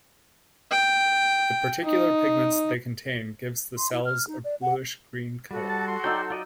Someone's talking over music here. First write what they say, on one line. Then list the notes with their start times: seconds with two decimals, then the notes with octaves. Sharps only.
The particular pigments they contain gives the cells a bluish-green color.
0.71 G5
1.83 D#4
3.76 C6
3.92 E4
4.05 F6
4.27 D#4
4.44 D5
4.62 F#5
5.51 G3 F#4 A4 F#5
5.69 A5
5.87 C6
6.04 F#3 D#4 D5 G5 E6
6.30 F4 D5 D#5